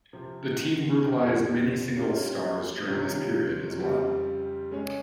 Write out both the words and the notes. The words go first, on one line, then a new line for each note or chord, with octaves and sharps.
The team brutalized many singles stars during this period as well.
C3 F3 C4
F2 D#3 G3 C4 G4
G3 C#4 F4
C3 D#3 G3 C#4 F4
F2 C#3 G3 C4
G#3 C#4 G#4 C#5